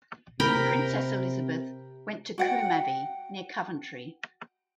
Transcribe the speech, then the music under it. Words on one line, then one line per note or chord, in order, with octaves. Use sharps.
Princess Elizabeth went to Coombe Abbey near Coventry.
C3 A#4 G5 B5
F#4 F#5 G5